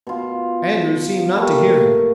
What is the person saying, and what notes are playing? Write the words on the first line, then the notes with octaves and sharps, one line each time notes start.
Andrews seemed not to hear him.
B2 F4
G3 A3 A#3